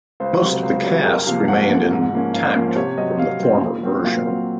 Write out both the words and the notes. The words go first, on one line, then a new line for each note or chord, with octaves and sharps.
Most of the cast remained intact from the former version.
C#2 C5
C3 F#3
C#2 C5
C3 F#3
G#4
C2 A#4
C3 F3 A#3 F5
C2 F#5
C3 F3 A#3
G#2
F3 A#3 C#4
G#2 F5
F3 A#3 C#4
C5
C3 C#5
F#3 C4 D#5
C3 F5
F#3 C4
A#2
F#3 C4
A#2 F5
F#3 C4